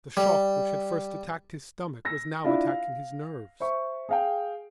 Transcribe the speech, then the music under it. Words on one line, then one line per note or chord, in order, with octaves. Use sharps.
The shock which had first attacked his stomach was now attacking his nerves.
G3
E6 A#6
D4 E4 F4
F5
C5 E5 C#6
G#4 F5 G5